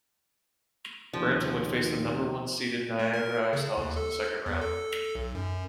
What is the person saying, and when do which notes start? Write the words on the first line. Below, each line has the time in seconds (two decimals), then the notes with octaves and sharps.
Brampton would face the number one seeded Niagara Ice Dogs in the second round.
1.13 D#2 F3
2.99 A3
3.13 A#4
3.53 C#3
3.77 D#2
3.96 A4
4.46 E2
4.61 A4
5.15 B1
5.35 F#2